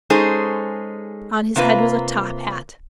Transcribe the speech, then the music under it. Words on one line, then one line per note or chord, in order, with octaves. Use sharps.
On his head was a top-hat.
G#3 C#4 D#4 G#4 A4 C5
C3 A#3 F4 B4